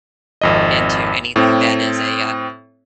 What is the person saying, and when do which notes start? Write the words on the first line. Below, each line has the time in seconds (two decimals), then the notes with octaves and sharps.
into anything that is a, uh
0.41 G#1 F2 D#5
1.36 A2 C4